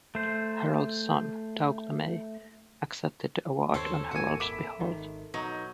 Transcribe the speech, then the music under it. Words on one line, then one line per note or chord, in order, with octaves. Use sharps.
Harold's son, Doug LeMay, accepted the award on Harold's behalf.
A3 C5
D#2 C4 A4 C5 C#5
D#1 G#1 A#3 F#4 G#5
E5 B5 D6
G#1 D#3
B2 F#3 D#4